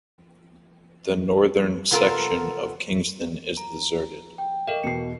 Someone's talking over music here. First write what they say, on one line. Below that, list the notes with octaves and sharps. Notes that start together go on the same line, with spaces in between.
The northern section of Kingston is deserted.
C3 B3 F4 A4 A#4
A#5
G5
A4 A#4 D#5 F5
E2 B2 C7 C#7